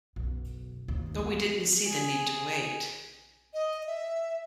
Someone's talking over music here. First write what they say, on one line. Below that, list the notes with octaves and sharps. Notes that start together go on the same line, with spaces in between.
But we didn't see the need to wait.
F#1 B1
G1 D#2
B3
G#4
D#5
E5